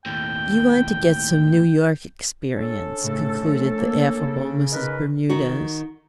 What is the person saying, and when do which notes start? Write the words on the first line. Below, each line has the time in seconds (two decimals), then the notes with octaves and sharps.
"You want to get some New York experience," concluded the affable Mrs. Bermudez.
0.06 D#2 A2 G5
2.57 C#4 D4 A4
3.01 A2 C#3
3.41 F3 A3
3.76 A#3
4.17 C#3
4.71 D#4 A#4 B4
5.29 D#3 F#4